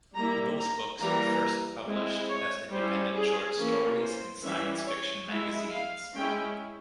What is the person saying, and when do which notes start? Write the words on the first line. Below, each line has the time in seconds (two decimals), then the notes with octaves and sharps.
Both books were first published as independent short stories in science fiction magazines.
0.14 G3 A#3 E4 A#5
0.56 A#5
1.00 E3 G3 A#3 A#5
1.85 G#3 C4 E4
2.29 C#5
2.71 G3 C#4 E4 C5
3.15 G#4
3.58 E3 A#3 C#4
4.00 C5
4.43 E3 G3 C#4 E4 E5
4.87 C#5
5.29 G#3 E4 E5
5.72 F5
6.15 G#3 C#4 E4 G5